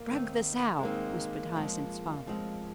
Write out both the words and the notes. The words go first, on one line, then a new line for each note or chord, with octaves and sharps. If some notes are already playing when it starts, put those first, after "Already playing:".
"Drug the sow," whispered Hyacinth's father.
Already playing: A#3
D#3 C4 D#4
G#3
D#3 A#3 C4 D#4
F3 G#3 C4
F3 G#3 C4